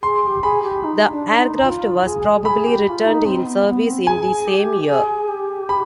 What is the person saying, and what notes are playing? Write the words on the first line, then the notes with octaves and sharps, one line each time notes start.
The aircraft was probably returned in service in the same year.
G#4 C6
G#4
G4
G#4 B5
G4
D#4
D4
D#4
F4
G#4
G#4 B5
G4
G4
F4
D#4
C4
B3
B3
C4
G#4 G#5
G4
G#4
G4
B5